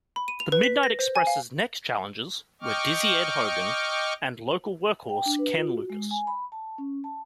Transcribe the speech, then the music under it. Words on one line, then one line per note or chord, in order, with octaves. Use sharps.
The Midnight Express's next challengers were "Dizzy Ed" Hogan and local workhorse Ken Lucas.
B5
D#7
F7
B4
B6
A#6
C5
G#5
F5
D#5 G5 C#6 D6 F6
G5
D4
B4
F4
F#4
G#3
G#5
B5
A5
C#4
A5